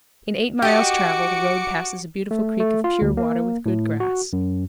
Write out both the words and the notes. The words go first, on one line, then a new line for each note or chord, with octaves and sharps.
In eight miles' travel the road passes a beautiful creek of pure water, with good grass.
F#4 G4 D#5 D6 C#7
A3
A3
F4
D2
A#3
A2
F#4
F#2